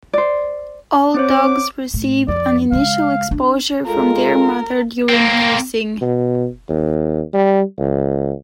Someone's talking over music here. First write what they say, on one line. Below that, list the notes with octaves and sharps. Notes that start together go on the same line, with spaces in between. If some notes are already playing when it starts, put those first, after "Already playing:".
All dogs receive an initial exposure from their mother during nursing.
C5 D5
C4 C5 C#5 D6
A2
F2 D5
C#3 G#3 F5
D4
G#3 F4 A4 A#4
A#3 C4
B2
D#2
G3
C#2